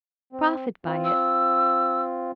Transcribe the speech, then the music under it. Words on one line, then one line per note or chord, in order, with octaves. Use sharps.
Profit by it.
C4
C4 F4
E6